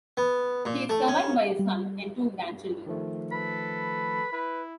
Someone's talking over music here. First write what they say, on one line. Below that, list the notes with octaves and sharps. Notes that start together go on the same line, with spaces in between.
He is survived by his son and two grandchildren.
B3
A#2
A3
C#4
G3
G2
D#3 F3 A3
A4 B4 B5
E4 B4